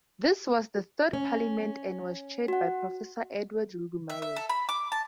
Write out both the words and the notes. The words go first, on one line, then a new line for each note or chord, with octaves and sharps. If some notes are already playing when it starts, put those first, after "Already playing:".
This was the Third Parliament and was chaired by Professor Edward Rugumayo.
C#4
F#4 F#5
E5
E5
A4
B5
D6
A5